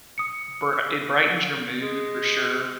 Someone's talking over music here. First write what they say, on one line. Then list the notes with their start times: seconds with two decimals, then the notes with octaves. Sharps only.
bri it brightens your mood for sure
0.18 D#6 C#7
0.73 E6
1.81 G#3